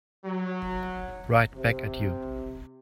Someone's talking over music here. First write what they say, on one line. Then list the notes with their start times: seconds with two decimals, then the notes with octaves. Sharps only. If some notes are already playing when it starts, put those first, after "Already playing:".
Right back at you.
0.25 F#3
1.54 C3